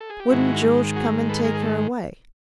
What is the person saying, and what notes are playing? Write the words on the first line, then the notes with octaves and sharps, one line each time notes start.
Wouldn't George come and take her away.
A4
G#4
G4
G#2 D#3 G#3 E4 F#4
F#4 G#4
A4 B4
G#4 A#4
G#4
A4